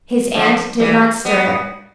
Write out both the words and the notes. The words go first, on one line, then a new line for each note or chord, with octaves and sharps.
His aunt did not stir.
D3 F3
E3 G3
G3 B3